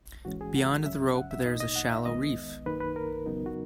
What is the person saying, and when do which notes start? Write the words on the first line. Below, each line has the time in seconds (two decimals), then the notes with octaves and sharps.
Beyond the rope there is a shallow reef.
0.25 G#2 E3 G#3 C#4 F#4
0.41 G#4
0.56 F#5
0.86 F#2 C#3 F#3 C#4 E5
1.15 F#5
1.31 E5
1.46 E2 B2 A#3 D#4 D#5
1.60 D#5
1.76 F#5
1.90 E5
2.06 D#2 D#3 G#3 B3 D#5
2.66 F#2 D#3 A#3 D#4 B4
2.80 B4
2.96 A#4
3.26 E2 C#3 F#3 B3 D#4
3.46 F#4